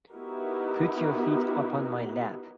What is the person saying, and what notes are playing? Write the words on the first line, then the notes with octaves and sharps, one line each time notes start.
Put your feet up on my lap.
B3 D#4 E4 F#4 G4 A#4